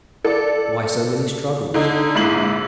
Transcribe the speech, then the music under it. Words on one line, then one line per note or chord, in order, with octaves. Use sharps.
Why so many struggles?
A4 D5
D3 D#4
A#1 G#2 E4 C7 F#7